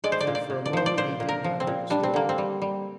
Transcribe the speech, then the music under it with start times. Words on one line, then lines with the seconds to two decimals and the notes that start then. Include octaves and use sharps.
And for a moment he did not understand.
0.04 G#3 D5
0.12 C5
0.20 D5
0.27 A#2
0.35 D5
0.50 A#2
0.66 D5
0.73 F3 C5
0.86 D5
0.97 A#2 C5
1.20 A#2
1.29 A#4
1.44 F3
1.60 C4
1.67 A#2
1.90 G3 D4
2.03 C4
2.14 D3 A#3
2.29 C4
2.38 G3
2.62 G3